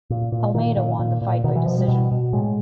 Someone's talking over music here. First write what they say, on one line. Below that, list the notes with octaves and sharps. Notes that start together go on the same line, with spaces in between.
Almeida won the fight by decision.
A#2
A#2
A#2 D#3
A#2
A#2
A#2
B2 D#3
E3
B2 F3
G3
B2
B2
A2 G#3